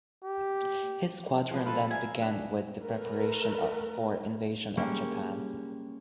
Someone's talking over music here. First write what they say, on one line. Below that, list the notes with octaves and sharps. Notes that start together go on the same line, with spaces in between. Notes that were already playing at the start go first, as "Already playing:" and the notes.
His squadron then began with the preparation for Invasion of Japan.
G4
F3 G#3 B4
F4 A4 B4
G#4 A#4 E5 G#5
D4 B4
A3 A#4 B4
G3 G#3 A#3 C#4